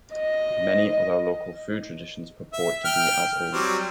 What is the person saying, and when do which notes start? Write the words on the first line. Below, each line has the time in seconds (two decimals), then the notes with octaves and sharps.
Many other local food traditions purport to be as old.
0.14 D#5
2.53 E5
2.85 G5 F6
3.52 F#3 G3 C4